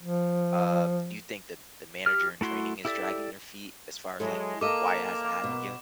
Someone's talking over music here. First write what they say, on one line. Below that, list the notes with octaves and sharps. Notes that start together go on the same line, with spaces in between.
um, do you think the the manager-in-training is dragging their feet as far as, like, why it hasn't happened yet?
F3
G4 F6
A3 E4 F#4 C6
E4 G4 A4 D5 E5
F#3 G#3 E4 A4
A#3 A4 D#5 D6
B2